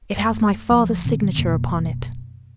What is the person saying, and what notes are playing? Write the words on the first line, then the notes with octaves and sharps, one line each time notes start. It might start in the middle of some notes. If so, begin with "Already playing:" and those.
"It has my father's signature upon it."
F#2 A3
C#2 F3
A#2 D3 D#3 C4
F#1 F#2 B2 A#3